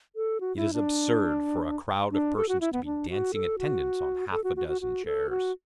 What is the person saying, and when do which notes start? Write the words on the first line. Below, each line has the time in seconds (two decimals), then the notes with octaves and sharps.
It is absurd for a crowd of persons to be dancing attendance on half a dozen chairs.
0.16 A4
0.41 F#4
0.57 E4
0.73 D4
2.11 D4
2.36 A4
2.49 F#4
2.61 E4
2.73 B3
2.85 D4
3.10 F#4
3.34 A4
3.59 F#4
4.32 A4
4.44 F#4
4.56 F#4
4.68 F#4
4.81 F#4
5.06 A4
5.30 F#4